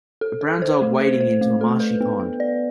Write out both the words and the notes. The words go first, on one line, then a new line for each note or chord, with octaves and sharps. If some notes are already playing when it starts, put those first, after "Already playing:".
A brown dog wading into a marshy pond.
A4
A4
C5
A3
C5
C5
A3
A4
B4
B3
B3
D5